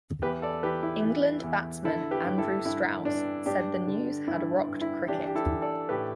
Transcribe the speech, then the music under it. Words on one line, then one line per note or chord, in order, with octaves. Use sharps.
England batsman Andrew Strauss said the news had rocked cricket.
E2 G4 B4
A4 D5
E3 G4 B4
E4
E3
E2
D3 E4 A4
G4 B4
G2
E4 A4
G2 E4
G2 D4
G2 D4 G4
D3
G2 E4
G2
E4
E3 D4 G4
G4
E4 A4
E3
A4 D5
A2 G4 B4